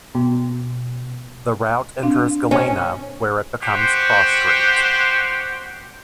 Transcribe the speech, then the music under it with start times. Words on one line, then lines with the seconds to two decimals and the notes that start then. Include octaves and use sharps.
The route enters Galena, where it becomes Cross Street.
0.15 B2
2.03 C4 D4 F5
2.51 C#4 C5
3.63 F#4 G4 C5